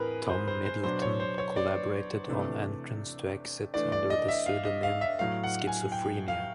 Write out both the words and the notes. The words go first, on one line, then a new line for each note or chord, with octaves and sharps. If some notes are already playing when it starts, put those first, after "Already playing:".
Tom Middleton collaborated on "Entrance to Exit" under the pseudonym "Schizophrenia".
Already playing: A2 E3 C4 E4 G#4 A#4 B4
C5
C5
C5
B2 F#3 B3 D4 C5
C#5
C5
C#5
D5
C3 E3 A3 D4
E3 A3 D4 D5
D5
D#5
E5
F5
D#5
F5
E5
A2 F#3 A3 F5
F#5
G#5
G5
F5